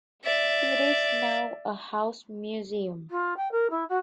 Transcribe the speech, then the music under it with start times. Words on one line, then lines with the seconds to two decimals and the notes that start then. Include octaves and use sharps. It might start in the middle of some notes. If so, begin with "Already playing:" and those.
It is now a house museum.
0.25 D5 E5
3.10 F4
3.36 G5
3.51 A#4
3.70 E4
3.89 F#4